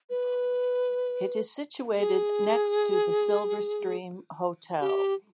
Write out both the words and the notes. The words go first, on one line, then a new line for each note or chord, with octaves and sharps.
It is situated next to the Silverstream Hotel.
B4
G#4
G4